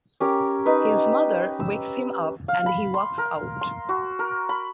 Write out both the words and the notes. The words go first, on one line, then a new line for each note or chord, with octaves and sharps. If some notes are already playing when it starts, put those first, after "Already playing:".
His mother wakes him up and he walks out.
C#4 G4 A#4
D#4 B4
E6
F5
B5
C6
A#4
C6
F#4
A#4
B5